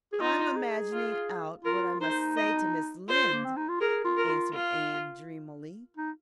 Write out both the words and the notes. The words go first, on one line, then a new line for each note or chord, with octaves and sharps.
"I'm imagining out what I must say to Mrs. Lynde," answered Anne dreamily.
G#4
D#4 F4
G#4
F4
F4 A#4
D#4 C5
D#5
F4 C5
A#3
C4
D#4
F4
G#4 A#4
F4
A#4
F4
F4
D#4